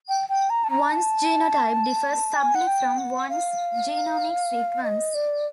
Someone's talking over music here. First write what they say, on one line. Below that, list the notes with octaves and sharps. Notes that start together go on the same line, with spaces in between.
One's genotype differs subtly from one's genomic sequence.
G5
G5
A#5
A5
A#5
A5
G#5
F#5
G5
F#5
F5
D#5
D5